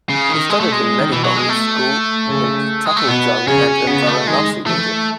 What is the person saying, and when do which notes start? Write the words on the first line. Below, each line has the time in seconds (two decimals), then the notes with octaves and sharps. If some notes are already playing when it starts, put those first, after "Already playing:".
He studied in Medibung School in Taplejung and in Varanasi, India.
0.09 C#3
0.29 D#3
0.49 G#3
0.60 A3
0.69 B2 G#3
1.00 D#3
1.09 B2 E3
1.24 F#3
1.36 G#3
1.49 A3
2.28 C#3
2.86 G#3
2.97 A3
3.07 B2 B3
3.48 C#3 C#4
3.87 C#3 B3
4.07 A3
4.27 D#3 G#3
4.67 E3 A3